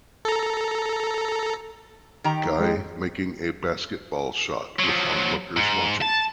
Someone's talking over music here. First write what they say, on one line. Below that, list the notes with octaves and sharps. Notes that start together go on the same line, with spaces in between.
Guy making a basketball shot with onlookers watching.
A4 A#5
D#3 G4 A#5
G#3
F3 F#3
G#2
A5